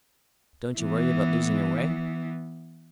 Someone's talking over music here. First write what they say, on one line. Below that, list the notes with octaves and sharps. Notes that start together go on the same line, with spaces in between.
"Don't you worry about losing your way?"
E3 B3